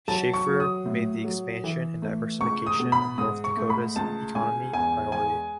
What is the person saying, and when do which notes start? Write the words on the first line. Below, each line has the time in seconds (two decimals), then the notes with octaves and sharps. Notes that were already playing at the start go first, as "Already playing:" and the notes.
Schafer made the expansion and diversification of North Dakota's economy a priority.
0.08 F#3 A5
0.34 C#6
0.47 F#3
0.60 D#6
0.86 A2
1.24 F#3
1.64 E3
2.02 A3
2.41 C#2 C#6
2.66 D#6
2.80 B2
2.92 B5
3.18 G#2 D#6
3.44 C#6
3.57 A3
3.70 B5
3.96 C#2 A5
4.35 C#2 G#5
4.73 E2 G#5
5.12 G#3 G#5